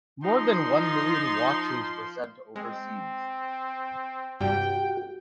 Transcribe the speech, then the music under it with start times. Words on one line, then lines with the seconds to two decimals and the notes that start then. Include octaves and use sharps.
More than one million watches were sent overseas.
0.23 F3 D#4 C6
2.56 G#3 C4
4.41 G2 C3 G3 F#4 G4 G5